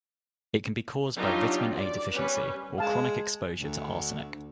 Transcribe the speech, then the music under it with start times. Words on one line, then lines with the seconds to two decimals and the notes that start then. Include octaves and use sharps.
It can be caused by vitamin A deficiency or chronic exposure to arsenic.
1.15 F#3 G3 D4 D#4 F4 G4
1.74 D5
2.15 G3 C#4 B4
2.78 G#3 F5 A5
3.54 D2